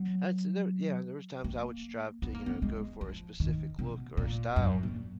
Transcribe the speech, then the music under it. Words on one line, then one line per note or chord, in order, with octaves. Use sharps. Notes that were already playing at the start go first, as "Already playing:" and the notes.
that's there yeah there was times I would strive to, you know, go for a specific look or a style,
Already playing: F#3
A#3
B3
A#3
B3
G#3
F3
D#3
B2
A#2
F#2
A#2